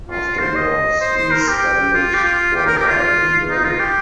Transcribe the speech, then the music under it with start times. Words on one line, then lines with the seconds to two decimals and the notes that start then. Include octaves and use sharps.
Afterwards, he studied for a while in Berlin.
0.09 F4
0.40 C5
0.55 D#5
1.01 C5
1.17 C5
1.32 A#4
1.48 G4
1.94 F4
2.14 G4
2.25 F4
2.56 G4
2.66 A#4
2.77 G4
2.88 F4
3.50 D#4
3.64 F4
3.80 G4